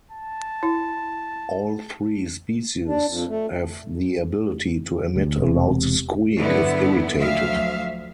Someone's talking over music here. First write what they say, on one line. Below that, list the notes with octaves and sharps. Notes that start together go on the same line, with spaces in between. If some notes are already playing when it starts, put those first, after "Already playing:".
All three species have the ability to emit a loud squeak if irritated.
A5
E4
D4
F2
A3
D2
E1 C3
G2 D3 F#3 B3 E4
D2 F3 F#3 E5 F5